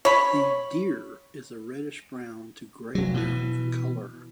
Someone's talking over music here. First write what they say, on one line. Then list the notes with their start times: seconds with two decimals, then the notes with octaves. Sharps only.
The deer is a reddish-brown to grey-brown in color.
0.05 C#5 B5
2.95 F1 F#3
3.14 B2 E3